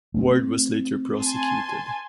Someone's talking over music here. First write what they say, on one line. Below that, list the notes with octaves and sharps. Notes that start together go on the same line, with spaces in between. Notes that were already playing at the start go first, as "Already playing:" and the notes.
Ward was later prosecuted.
A3 A#3 C4
G#5 A5 C6